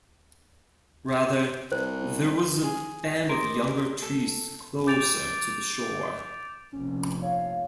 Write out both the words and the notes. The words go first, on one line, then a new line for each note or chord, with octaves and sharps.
Rather, there was a band of younger trees closer to the shore.
C2 C5
G#4
A#4 C5 D5 D#5
A4
D6 G6 A6 D7 F7
F1 A#1 C#4
C#5 F5